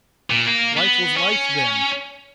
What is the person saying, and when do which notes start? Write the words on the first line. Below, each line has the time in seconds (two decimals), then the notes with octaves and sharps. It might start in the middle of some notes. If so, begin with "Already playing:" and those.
Life was life then!
0.30 A#2
0.48 A#3
0.77 B3
1.17 C#4